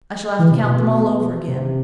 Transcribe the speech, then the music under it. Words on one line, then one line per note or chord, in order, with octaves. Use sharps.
I shall have to count them all over again.
E3
C3
B2
B2
C3